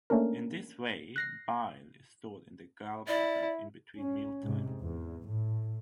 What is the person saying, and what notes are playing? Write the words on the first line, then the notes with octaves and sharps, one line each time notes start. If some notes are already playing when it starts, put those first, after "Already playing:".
In this way, bile is stored in the gallbladder in between meal times.
A3 A#3 C#4 D4 A#4
F#6 A#6 C7
E4 D5
C#4
G#2 C3
E2
A2